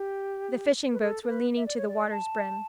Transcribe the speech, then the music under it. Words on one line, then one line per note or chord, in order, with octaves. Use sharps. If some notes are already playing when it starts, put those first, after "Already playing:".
The fishing-boats were leaning to the water's brim.
Already playing: G4
B4
A4
A4
B4
E5
D5
C#5
D5
A5